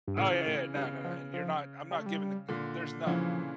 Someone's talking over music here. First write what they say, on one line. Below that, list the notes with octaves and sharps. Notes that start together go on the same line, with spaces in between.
Oh, yeah, yeah. No, no, no, and you're not I'm not giving the uh, there's no
G2
A2 C#3 E3
A2
G2 C#3
F3
F3
G3
A3
G3
A#2 D3
C#3 E3 F3